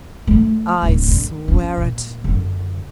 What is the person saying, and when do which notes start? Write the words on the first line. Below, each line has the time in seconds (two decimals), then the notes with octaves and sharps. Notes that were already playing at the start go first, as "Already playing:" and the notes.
"I swear it!"
0.27 D3 A3
0.83 D1
1.08 D3
1.48 C#4
1.77 A#2
2.24 F#2 D3